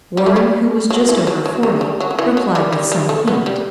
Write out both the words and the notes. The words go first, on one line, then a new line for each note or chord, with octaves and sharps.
Warren, who was just over forty, replied with some heat.
G3
A3
G3
F#3
E3
F#3
F#3
G3
G3
F#3
F#3
E3
F#3
G3
G3
G3
A3
B3
G3